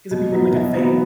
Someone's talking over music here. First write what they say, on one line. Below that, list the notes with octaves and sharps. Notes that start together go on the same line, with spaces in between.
'Cause it became like a thing.
B2
F#3 B3 D#4
B2
F#3 B3 D#4